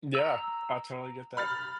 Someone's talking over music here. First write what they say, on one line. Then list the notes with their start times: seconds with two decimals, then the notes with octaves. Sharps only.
Yeah, I totally get that.
0.15 A#5 E6
1.37 B5 F6 A6